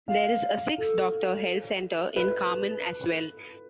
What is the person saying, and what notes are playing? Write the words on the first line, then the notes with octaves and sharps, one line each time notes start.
There is a six-doctor Health Centre in Carman as well.
F5
A4
B4